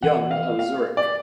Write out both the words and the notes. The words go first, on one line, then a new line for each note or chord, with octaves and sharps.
Jung of Zurich.
E3 F#5
F5
F5
D5